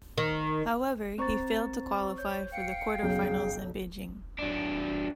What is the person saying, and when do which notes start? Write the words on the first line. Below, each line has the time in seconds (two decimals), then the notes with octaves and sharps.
However, he failed to qualify for the quarter finals in Beijing.
0.18 D#3
1.18 C4 C5 A#5 C#6 A6
2.18 C#5 G6
2.52 F5 G5 C#7
3.02 F#1 B1 G#4 C#5 G6
4.39 F#3 D4